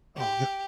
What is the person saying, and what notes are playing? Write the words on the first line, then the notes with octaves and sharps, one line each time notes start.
Oh, th
G4